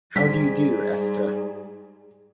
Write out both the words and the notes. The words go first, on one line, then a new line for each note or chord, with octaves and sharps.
How do you do, Esther?
G#2 G3 G#4 B6